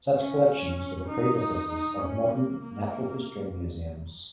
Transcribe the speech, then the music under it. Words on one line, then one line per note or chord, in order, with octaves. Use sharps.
Such collections were the predecessors of modern natural history museums.
C#4
D#4
D#4
C#4
A#3
A#3